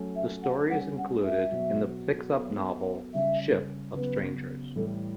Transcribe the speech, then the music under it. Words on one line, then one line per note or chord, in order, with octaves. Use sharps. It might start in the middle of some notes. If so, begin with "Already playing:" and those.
The story is included in the fixup novel "Ship of Strangers".
Already playing: F#3 A3 C#4
E5
F#5
G3 C#4 G4 F#5
F#5
E5
B2 F#3 B3 F#4
F#3 B3 F#4 A4
C#3 G3 C#4 E5
C#3 F#3 B3 B4
A2 E3 G3 A4